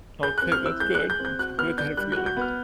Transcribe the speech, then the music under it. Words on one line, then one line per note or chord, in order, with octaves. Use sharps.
Okay, that's good. That's good to have feelings.
G#4 G6
F#6
C4
F6
E4 E6
G#3 G6
F#6
G#4
G6
C4
G6
F#4 F#6
B3 F6
D4 G6
G3 F#6
F#6
F#4
G6
B3 F6